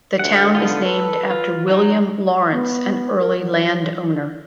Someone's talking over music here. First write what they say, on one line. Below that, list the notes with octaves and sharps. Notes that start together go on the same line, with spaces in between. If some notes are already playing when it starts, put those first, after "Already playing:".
The town is named after William Lawrence, an early land owner.
D2 F#5
D3 B3 D#4 F4
A4 B4
F4
F#3 D#4
B3
A#4
F#3